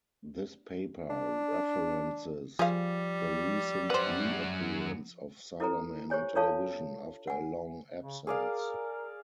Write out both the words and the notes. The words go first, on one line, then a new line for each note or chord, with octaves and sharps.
This paper references the recent reappearance of Cybermen on television after a long absence.
D4
F3 G3 G#4 F5
F#2 B4 C5 F#5
E4 A4 B4 A#5
G4 C5 C#5 G#5
D4 F4 A4 C#5 F5 A5
F#5 G#5
C#3
G#4 A#4 D5 F5